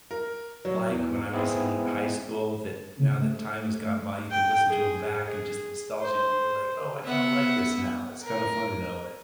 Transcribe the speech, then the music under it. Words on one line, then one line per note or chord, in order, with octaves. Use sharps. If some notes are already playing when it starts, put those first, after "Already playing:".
like when I was in high school that now that time has gone by, you can listen to 'em back and just the nostalgia, you're like, "Oh, I kinda like this now." It's kinda funny that way.
A#4
F#3
E2
G#3 B3 C4 E4 G#4
C#3
A3
G5
G#4
G#4
C5
B3 E5 F#5
A#4